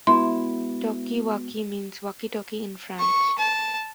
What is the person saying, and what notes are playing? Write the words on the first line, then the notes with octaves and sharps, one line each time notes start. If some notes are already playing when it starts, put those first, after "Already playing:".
"Talkie-walkie" means walkie-talkie in French.
G#3 B3 E4 F#4 C6
C#6
A5